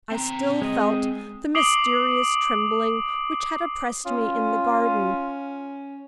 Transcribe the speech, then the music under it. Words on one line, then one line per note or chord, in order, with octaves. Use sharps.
I still felt the mysterious trembling which had oppressed me in the garden.
C4 A#5
G#3 D#5
D6 D#6 C7 D7 F#7 G7
C#4 F4